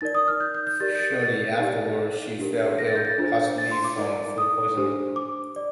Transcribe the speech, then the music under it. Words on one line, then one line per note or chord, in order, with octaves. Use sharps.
Shortly afterward, she fell ill, possibly from food poisoning.
D#4 A#4 D5 A6
D#6
F6
G6
G6
G6
G4 A#4 D5 A6
G6
A6
A6
D#4 G4 D5
D4 G4 A#4
A#6
A6
G6
A6
D4 F4 C5
A6
C6
D6
D#4 A#4 D5
D#6
D4 G4 C5
D6
D5